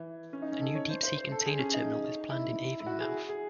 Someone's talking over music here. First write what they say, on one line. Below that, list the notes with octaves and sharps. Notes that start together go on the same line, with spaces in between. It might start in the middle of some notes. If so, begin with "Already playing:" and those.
A new deepsea container terminal is planned in Avonmouth.
Already playing: E3
C#4
D#4
C#4
A4
C#5
C5
C5
C5
A4
G#4
C#4
D#4
E4
E4
F#4
G#4
G#4